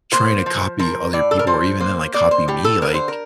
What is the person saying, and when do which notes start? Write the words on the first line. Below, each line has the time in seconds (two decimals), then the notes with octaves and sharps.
trying to copy other people or even then, like, copy me. Like,
0.12 A#3 C5
0.46 F3
0.79 F3 A#4
1.13 A2 D5
1.31 A4
1.39 A#4
1.47 F3 C5
1.80 A#3 C5
2.14 A#3 D5
2.31 C5
2.48 A2 G4
2.65 A4
2.81 D3 A#4
2.94 C5
3.08 A#4